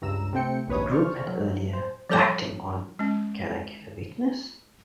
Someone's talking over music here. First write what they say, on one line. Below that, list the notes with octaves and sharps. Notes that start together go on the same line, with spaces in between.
The group had earlier backed him on "Can I Get a Witness".
C#2 G2 A#5 E6 E7
C3 A3 C4 G5 C#7
A#1 D#2 B4 C#5 D#6
C5 D5 C#6 F6
F#3
C5
F3 G3 A4 C#5 A5 D6
G#3 C#4